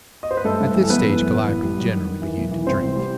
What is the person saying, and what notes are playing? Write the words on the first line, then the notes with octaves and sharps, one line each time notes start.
At this stage Calliope generally began to drink.
D#5
C5
B4
G2 A3 A4
G2
E3
A4
F#2 B3 B4
E3
F#2
A1
A1
G3
F#3
D#3
D#3
E3
B1
E3
C2 C4 C5
C2
G3